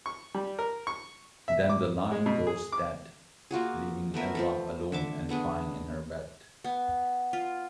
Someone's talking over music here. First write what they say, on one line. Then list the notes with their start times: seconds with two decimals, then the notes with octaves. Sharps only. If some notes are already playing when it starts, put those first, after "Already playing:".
Then the line goes dead, leaving Elva alone and crying in her bed.
0.06 C#6
0.35 G3
0.59 A#4
0.87 C#6
1.48 E5
1.69 D6
2.12 G#3
2.26 B2
2.47 G#4
2.72 D6
3.51 A#3 F4 F#4 G#4
4.14 A3 B3 A#4 E5
4.35 F3 A3 A4
4.92 D3 E5 D6
5.29 A3 B3 D4 G#4
6.64 B3
7.33 F4